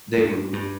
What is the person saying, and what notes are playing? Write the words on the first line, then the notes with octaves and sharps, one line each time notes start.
They were
G2
G2